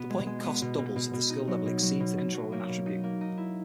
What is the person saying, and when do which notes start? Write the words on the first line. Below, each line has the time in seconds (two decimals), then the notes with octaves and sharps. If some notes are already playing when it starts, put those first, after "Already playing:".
The point cost doubles if the Skill level exceeds the controlling Attribute.
Already playing: B2 B3
0.10 G#3
0.26 G#3
0.44 B3
0.62 B2
0.78 B2
0.96 B2
1.13 B2
1.30 D#4
1.48 F#3
1.66 B2
1.82 F#3
2.00 B2
2.17 B2
2.34 F#3
2.52 A#3
2.69 B2
2.86 D#4
3.04 A#3
3.21 D#4
3.37 E4